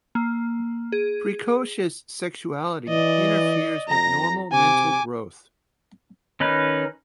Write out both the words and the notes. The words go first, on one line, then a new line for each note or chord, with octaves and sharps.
Precocious sexuality interferes with normal mental growth.
A#3
G#4
E3 D5 D#5
F2 A#5 A#6
C3 G#5 D6
D#3 C#4 D#4 B4